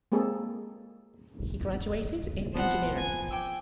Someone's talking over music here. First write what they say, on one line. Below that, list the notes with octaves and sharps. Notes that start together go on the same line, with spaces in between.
He graduated in engineering.
G#3 A#3 C4 G#4 A4
F3 B3 C4 C5 F#5
G#5
G5 G#5 D6 E6